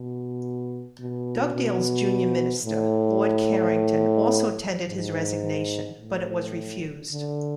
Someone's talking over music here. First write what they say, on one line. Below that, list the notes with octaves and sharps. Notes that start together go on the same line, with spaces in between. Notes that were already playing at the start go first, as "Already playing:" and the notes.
Dugdale's junior minister, Lord Carrington, also tendered his resignation, but it was refused.
Already playing: B2
B2
B2
A2
G#2
A2
D3